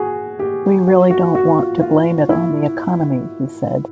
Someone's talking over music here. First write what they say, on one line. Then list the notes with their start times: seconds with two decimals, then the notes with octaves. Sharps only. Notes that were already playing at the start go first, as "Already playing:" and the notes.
"We really don't want to blame it on the economy," he said.
Already playing: F#4 G#4
0.39 G4
0.87 F#4
1.10 F#4
1.35 F#4
1.58 F4
1.81 F4
2.30 E4